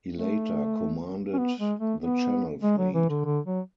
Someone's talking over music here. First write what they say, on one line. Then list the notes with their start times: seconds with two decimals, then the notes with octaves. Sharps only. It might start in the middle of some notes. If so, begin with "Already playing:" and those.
He later commanded the Channel Fleet.
0.14 A3
1.34 C#4
1.38 B3
1.59 G#3
1.80 A3
2.01 B3
2.63 G#3
2.78 F#3
2.94 E3
3.10 D3
3.25 D3
3.46 F#3